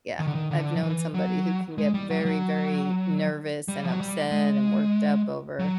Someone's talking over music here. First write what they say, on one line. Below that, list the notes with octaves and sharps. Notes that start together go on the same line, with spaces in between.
yeah, I've known somebody who can get very, very nervous and upset and worked up over
D#3
D3
D#3
D3
F3
E3
F#3
G#3
G3
F#3
G3
F#3
G3
F3
F#3
G3
G#3
F#3